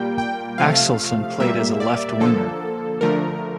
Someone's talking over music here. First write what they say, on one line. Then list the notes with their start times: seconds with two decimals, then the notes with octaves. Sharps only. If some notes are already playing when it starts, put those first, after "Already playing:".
Axelsson played as a left winger.
Already playing: A#2 G3 A#3 G5
0.18 G5
0.58 C3 F3 A3 F5
1.40 A#2 G3 A#3 E5
1.80 D5
2.20 D3 F3 A#3 A4
3.01 D3 F3 A3 A#4